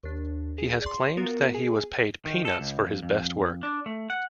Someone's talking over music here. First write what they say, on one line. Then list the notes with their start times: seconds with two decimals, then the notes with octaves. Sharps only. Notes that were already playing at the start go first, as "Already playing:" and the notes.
He has claimed that he was paid "peanuts" for his best work.
0.03 D#2 D4
0.58 G#4
0.82 D5 C6
1.17 B3 F4 F#4 A#4
1.54 G#4 G#5
2.25 D#3
2.45 A4
2.60 C#2
2.86 F2
3.03 F2
3.63 D4
3.86 A3
4.10 F#5